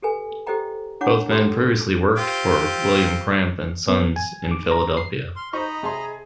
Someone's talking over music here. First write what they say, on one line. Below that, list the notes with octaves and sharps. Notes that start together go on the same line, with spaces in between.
Both men previously worked for William Cramp and Sons in Philadelphia.
G4 A4 B4 G#5
G4 A4 C5 D#5 G5 A#5
D4 E4 C#5 F#5 D6
E4 G4 A4 G5 C6 D6
C4 F4 G4
B3
G#5
D6
A#5
C7
C6 F6
D#4 C5 D#5 A#5 B5 C#6
D#6
C3 G#4 A5 C6